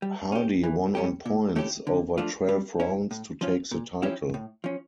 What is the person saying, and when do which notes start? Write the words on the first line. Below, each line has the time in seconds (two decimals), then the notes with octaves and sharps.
Hardy won on points over twelve rounds to take the title.
0.02 G3
0.32 C#4 G4
0.63 E3
0.95 G3 C#4 G4
1.26 A#2
1.56 A3 C#4 E4 G4
1.87 D3
2.18 F3 A3 D4 F4
2.49 G3
2.80 C#4 E4
3.11 A2
3.41 F3 C#4 F4
3.71 A#2
4.02 F3 C#4 E4 G4
4.34 A2
4.64 F3 C#4